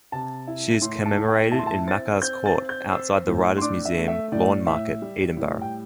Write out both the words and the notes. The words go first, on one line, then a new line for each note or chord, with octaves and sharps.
She is commemorated in Makars' Court, outside the Writers' Museum, Lawnmarket, Edinburgh.
C3 A5
E4
A2 C6
A5
A2
G5
E4 A5
C6
A5
C4 A6
C4 G6
A6
C4
G6
C4 E6
A2
C6
D4 D6
E5
A3
E5
A2 D5
A2 E5
G3
A2
G5